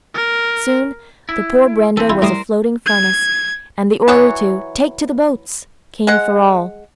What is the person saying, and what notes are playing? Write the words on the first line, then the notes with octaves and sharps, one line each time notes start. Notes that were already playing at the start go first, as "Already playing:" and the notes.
Soon the poor Brenda was a floating furnace, and the order to 'Take to the boats!' came for all.
A#4
E4
E3 C4 A4
E4 F4
A2 G3 A#4 C5 D#6
G#6
E3 F#3 C#5
G#3 F#5